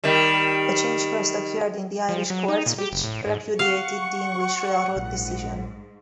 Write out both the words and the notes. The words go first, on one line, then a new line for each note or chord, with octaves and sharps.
A change first occurred in the Irish courts which repudiated the English railroad decision.
D#3 G3
F3
F#3
D#4
A#2
G4
F#1
A2
G#2
F5 F#5 C#6
A#1 G#2